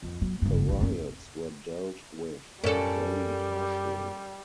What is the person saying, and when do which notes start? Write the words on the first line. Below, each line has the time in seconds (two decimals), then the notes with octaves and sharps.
The riots were dealt with very harshly.
0.03 F2
0.22 F#3
0.42 F#1 G2
0.69 A1 D3
0.81 F#2 C#4
2.64 F#2 G3 C#4 A4 A#4 D5